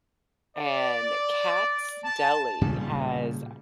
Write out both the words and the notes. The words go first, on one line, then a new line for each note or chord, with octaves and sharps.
And Katz Deli has
D5
A5
A#2 C#3 G3